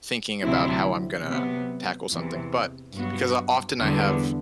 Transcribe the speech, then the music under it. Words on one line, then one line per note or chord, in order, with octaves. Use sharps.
thinking about how I'm gonna tackle something. But because often I have
D2 C3 F#3 C4 E4
C3 F#3 B3
E2 C3 E3
G2 F#3 B3 F#4
E2 D3 G3 B3 D4